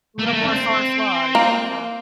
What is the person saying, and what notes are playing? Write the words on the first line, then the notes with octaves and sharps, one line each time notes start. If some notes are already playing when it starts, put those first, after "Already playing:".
A little more far-flung, yeah.
A3
A#3
A3
D4
C4
A#3